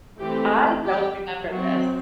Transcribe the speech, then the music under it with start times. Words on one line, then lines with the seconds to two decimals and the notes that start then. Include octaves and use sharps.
I don't remember this
0.18 E3 A3 C4 G4
0.84 G4
1.50 F#3 C4 F#4